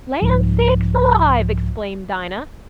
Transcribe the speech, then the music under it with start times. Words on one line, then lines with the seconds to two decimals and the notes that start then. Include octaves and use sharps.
"Land sakes alive!" exclaimed Dinah.
0.22 C2 G#2 F3